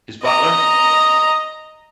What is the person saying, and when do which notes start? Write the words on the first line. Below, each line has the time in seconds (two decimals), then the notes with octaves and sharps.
His butler?
0.23 D#5 A#5